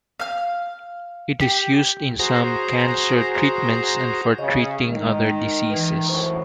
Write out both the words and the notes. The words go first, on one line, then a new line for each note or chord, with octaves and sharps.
It is used in some cancer treatments and for treating other diseases.
F5 F6
G4
F#4 G#4 C5 A#5
C#3 D#5
D#3 G#3
E3 B4
F#2 A2 C5 C#6